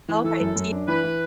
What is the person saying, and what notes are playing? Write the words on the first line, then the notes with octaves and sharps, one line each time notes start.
Okay, do you
E3
E3 A4
F#2
F#2
D4
E3 B4
E3